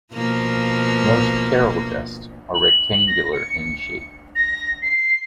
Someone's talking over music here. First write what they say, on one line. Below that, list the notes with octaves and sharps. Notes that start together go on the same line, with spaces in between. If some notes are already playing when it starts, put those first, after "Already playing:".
Most carrel desks are rectangular in shape.
B2 F3 A#3
F#7
A#6
C#7
A#6
C7